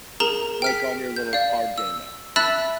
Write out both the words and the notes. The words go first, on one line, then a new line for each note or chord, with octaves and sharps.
Like, on your little card game app.
G#4 A#4 A#5 E7 F7
G5 F6 B6
G6
D5 F5
E6
E5 A5 B5 E6 F#6 A6